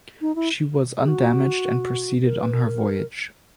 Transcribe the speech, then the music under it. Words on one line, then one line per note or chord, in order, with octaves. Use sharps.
She was undamaged and proceeded on her voyage.
D#4
E4
G#4
F#4
A#4
B4
A#4